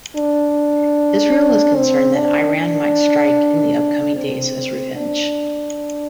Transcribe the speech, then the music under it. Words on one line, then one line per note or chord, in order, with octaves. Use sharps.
Israel is concerned that Iran might strike in the upcoming days as revenge.
D4
C4
D4
D4
C4
D4